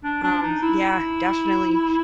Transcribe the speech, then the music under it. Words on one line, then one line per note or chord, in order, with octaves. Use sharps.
Um, yeah, definitely.
D4
D4
D#4
E4